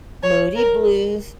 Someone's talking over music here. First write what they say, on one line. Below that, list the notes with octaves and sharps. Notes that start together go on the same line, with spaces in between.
Moody Blues.
C#5
A#4